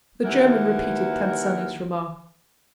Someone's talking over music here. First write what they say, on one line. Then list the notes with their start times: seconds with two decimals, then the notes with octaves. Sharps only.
The German repeated Tant Sannie's remark.
0.24 D#2 E3 A#4 F#5